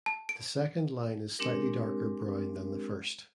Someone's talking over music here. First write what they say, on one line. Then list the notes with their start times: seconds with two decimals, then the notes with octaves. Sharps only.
The second line is slightly darker brown than the first.
0.06 A5
0.29 D7
1.39 G#3 C4 D4 G4 A#4